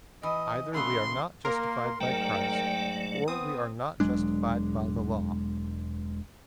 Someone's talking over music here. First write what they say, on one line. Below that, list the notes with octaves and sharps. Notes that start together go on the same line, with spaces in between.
Either we are not justified by Christ, or we are not justified by the Law.
E3 D#5
C#3 A3 B3 C6
A#3 A#4 C6
G#2 F#3 A3 D5 G5
B3 C4 D#6
E1 F#3 G#3 D4